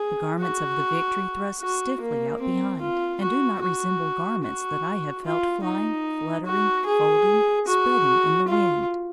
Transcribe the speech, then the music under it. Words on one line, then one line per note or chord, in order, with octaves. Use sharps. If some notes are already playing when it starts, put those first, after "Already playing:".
The garments of the Victory thrust stiffly out behind, and do not resemble garments that I have felt flying, fluttering, folding, spreading in the wind.
Already playing: G#4
F#4
F#4
A#3
C4
F4
F#4
F#4
F#4
F4
D#4
F#4
G#4
F#4
F4